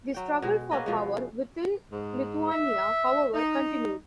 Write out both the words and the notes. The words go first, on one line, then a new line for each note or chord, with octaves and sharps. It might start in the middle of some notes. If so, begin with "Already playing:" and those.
The struggle for power within Lithuania however continued.
F#3 G5
B2 G#3
A#3 B3 C#4 D#5
B2 F3 G#3
G#2
E5
D#4